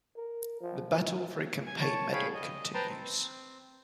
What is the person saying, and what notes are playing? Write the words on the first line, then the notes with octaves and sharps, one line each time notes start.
The battle for a campaign medal continues.
A#4
F3
G#5
C#5 A5
G#4 C#5 F5 G5 B5
D#5
B4 C5 G5 A5 A#5 C6
C4